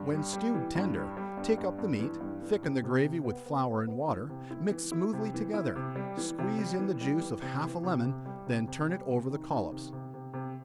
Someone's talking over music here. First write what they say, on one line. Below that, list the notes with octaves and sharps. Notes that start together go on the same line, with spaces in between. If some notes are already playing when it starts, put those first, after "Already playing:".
When stewed tender, take up the meat, thicken the gravy with flour and water, mixed smoothly together, squeeze in the juice of half a lemon, then turn it over the collops.
Already playing: G2
G3
G3
E3
G2
G3
G3
G2
G2
G2
E3
G2
E3
C3
C3
C3
B3
B3
B3
B3
E3
C3
E4
E3
E4
C3
E3
E4
C3
G3
E3
C3
G3
E3
G3
E3
C3
E3
C3
C3
G3
C3
C3
G3
C3
D#3
D#3
C3
C3
C3
C3